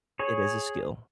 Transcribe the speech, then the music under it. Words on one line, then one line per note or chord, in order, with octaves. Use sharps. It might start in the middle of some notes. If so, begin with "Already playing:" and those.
It is a skill.
G#4 C#5